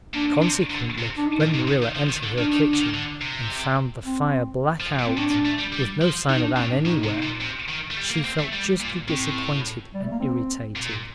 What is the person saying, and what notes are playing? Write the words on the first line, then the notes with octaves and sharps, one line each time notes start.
Consequently, when Marilla entered her kitchen and found the fire black out, with no sign of Anne anywhere, she felt justly disappointed and irritated.
A#2 D4
C3
D3
C3
D4
D#4
A#2
C3
D#3
D#3
F3
D#3
D3
D#3 D4
D#3
D3
D#3
D3
C3
C4
F3
A#2
C4
A2 D4
A#2
A3
G3
G3
F3
D#3 D#4
D4
A2 C4
D4
A2 D#4
C3
A#2
C3
D#3
A3
G3
A#3
C4
A3
G3
A#2
A2 C4
G3
A3
A#3
C4
A#2